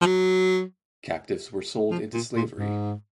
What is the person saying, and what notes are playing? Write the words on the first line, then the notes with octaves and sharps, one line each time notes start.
Captives were sold into slavery.
F3
F#3
F3
A#2
A#2
G#2